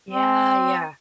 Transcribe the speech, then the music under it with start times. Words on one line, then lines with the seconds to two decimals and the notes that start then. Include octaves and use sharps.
Yeah, yeah.
0.11 C4